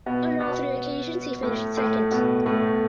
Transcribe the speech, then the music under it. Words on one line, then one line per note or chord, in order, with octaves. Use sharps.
On all three occasions he finished second.
B2 B3
B2 B3
A2 A3
A2 A3
B2 B3
A2 A3